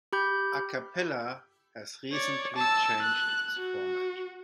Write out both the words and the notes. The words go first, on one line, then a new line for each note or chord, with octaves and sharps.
Acappella has recently changed its format.
G4 B5 G6
C#5 D5
A5 E6
F#6
F#4